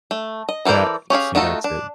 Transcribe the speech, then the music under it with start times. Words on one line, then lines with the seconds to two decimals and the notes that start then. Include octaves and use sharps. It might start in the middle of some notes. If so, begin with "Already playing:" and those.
That see, that's it.
0.11 A3
0.49 D#5
0.65 E3 A4 A#4 C5 D5
1.10 C#4 G4 G#4 F5
1.35 A3 D#4 F4 F#4 A4
1.64 D4